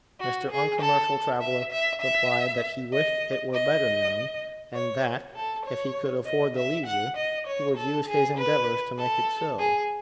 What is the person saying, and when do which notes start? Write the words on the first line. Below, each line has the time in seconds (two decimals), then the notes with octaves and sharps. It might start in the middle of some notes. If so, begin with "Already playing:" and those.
Mr. Uncommercial Traveller replied that he wished it were better known, and that, if he could afford the leisure, he would use his endeavours to make it so.
0.20 F#4
0.51 G#4
0.81 A4
1.41 E5
1.72 E5
2.02 E5
2.93 D#5
3.53 D#5
4.75 C#5
5.35 A4
5.66 C#5
6.26 D#5
6.57 E5
6.86 F#5
7.17 D#5
7.47 C#5
7.77 A4
8.08 G#4
8.38 B4
8.98 A4
9.59 G#4